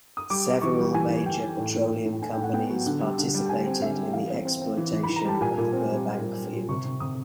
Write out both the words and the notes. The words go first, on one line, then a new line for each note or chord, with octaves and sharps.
Several major petroleum companies participated in the exploitation of the Burbank Field.
D#6
G3 D6
G3
E3 C#6
G3
E3 G#5
E3
E3 G5
E3
A2 G5
A2
A2
A2
A2 G#5
A2 G5
F#5
B3 G5
F#3
D3
G3
D3
G3
G5
D3 G#5
C4
D3 E5
G3
E3 F5
C4
C4
C4
E3
E3
B5
E3
A#5
G3 A5
A#2 G#5
A#2
C4
G3
G3
A#2
G3
A#2
C3 C#6
C3
C3 D#6